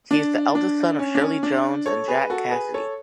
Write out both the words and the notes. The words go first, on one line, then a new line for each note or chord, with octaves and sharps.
He is the eldest son of Shirley Jones and Jack Cassidy.
D4
D4
C#4
D4
C#4
D4
A4 C#5
G#4 B4
F#4 A4
G#4 B4
A4 C#5